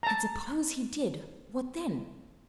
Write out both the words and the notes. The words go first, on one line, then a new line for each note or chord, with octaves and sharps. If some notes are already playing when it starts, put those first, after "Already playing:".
And, suppose he did, what then?
A5 A#5